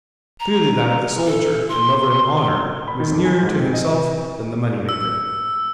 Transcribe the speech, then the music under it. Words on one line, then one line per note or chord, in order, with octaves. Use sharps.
Clearly that of the soldier and lover of honour; who is nearer to himself than the money-maker.
A#5
A4
C6
B5
D#3
F2
G#5
G#2
C4
D#5
E6